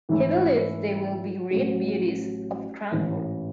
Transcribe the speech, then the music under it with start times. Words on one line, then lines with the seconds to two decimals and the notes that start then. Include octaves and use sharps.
He believes they will be great beauties of Cranford.
0.09 G#2 E3 A3 C#4 E4
1.51 A1 A2 F#3 C#4 F#4
2.92 A1 G#2 E3